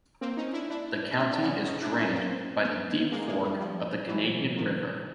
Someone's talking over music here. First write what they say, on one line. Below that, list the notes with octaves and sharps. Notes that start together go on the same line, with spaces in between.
The county is drained by the Deep Fork of the Canadian River.
A#3 C4
C#4 D#4
D4 E4
D4 E4
C#4
C4 D4
D4
B3 C#4
C#4 D#4
D4 E4
B3 C#4
A#3 C4
A3 B3
G#3 A#3
G#3 A#3
G3 A3
F3 G3
E3 F#3
D#3 F3